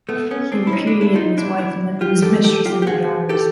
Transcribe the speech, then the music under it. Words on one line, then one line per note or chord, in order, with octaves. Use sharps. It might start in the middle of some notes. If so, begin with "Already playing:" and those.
He repudiated his wife and lived with his mistress and their daughters.
A3 B3
B3 C#4
C4 D4
E4
C#4 D#4
D4 E4
D4 E4
D#4 F4
D4 E4
D4 E4
F4 G4
G4 A4
G4 A4
F4 G4
G4
F#4 G#4
G4 A4